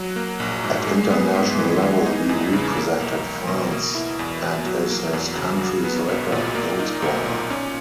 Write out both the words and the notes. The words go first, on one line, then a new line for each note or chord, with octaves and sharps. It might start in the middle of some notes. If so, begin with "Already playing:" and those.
At international level he represented France and is his country's record goalscorer.
Already playing: F#3
A#3
A#1
G#2
G#3
B3
G#2
E3
G#3
D#4
E2
C#3
A#3
B1
B1
B2
A#3
E4
E2
B2
F#3
A#3
E2
C#3
F#3
B3
B1
A#2
A#3
D#4
B1
A#2
C#4